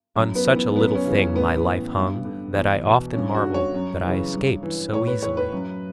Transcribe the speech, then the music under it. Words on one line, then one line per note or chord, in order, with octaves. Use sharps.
On such a little thing my life hung that I often marvel that I escaped so easily.
F#2
B3
E3
B3
F#2 B3
C#4
C#3 E3
C#4
A2 B3
E3
G2
D3
E2
B2
G2 C#4
F#4
D3
C#5
F#2
C#3 E3
G2
E3
A2 C#5
B4
E3 C#5
B4
F#2